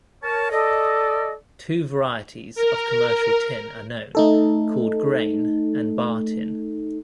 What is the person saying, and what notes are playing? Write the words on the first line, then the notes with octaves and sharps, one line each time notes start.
Two varieties of commercial tin are known, called grain and bar-tin.
A#4 C#5 A5
A4 D5 D#5
A#4
A3 D#4 A4